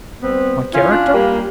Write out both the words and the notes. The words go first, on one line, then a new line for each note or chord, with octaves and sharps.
"My character?"
G3 B3 C4
E3 C#4 E4 F4
C#4 D4 F4
G3 A#3